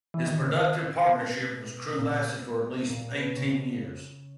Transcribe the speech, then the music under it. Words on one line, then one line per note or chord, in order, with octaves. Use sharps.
His productive partnership with Crewe lasted for at least eighteen years.
E3
D#3
C#3
D#3
B2
A#2
A#2
B2
C#3